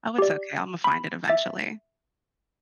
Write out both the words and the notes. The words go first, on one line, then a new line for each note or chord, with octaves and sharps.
Oh, it's okay, Imma find it eventually.
G4 D5
B5
E5 A6